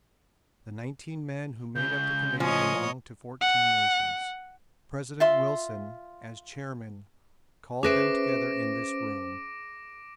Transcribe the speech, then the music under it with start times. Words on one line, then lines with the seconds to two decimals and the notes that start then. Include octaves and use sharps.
The nineteen men who made up the committee belonged to fourteen nations. President Wilson, as chairman, called them together in this room.
1.75 C#2 C#3 G6
2.40 A2 F3 C#5 D#5 G#5
3.41 F#5
5.20 F4 E5 C6
7.83 C#4 G#4 B4 C5 E5 D6 A#6 D7